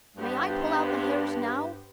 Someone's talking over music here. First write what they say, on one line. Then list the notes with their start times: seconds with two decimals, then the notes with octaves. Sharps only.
"May I pull out the hairs now?"
0.16 G2 B3 G4 C5